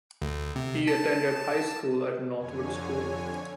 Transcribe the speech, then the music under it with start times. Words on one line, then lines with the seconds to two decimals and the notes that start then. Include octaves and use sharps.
He attended high school at Northwood School.
0.22 D2
0.56 C3
0.87 A5
2.35 F2 D3 C#5 G#5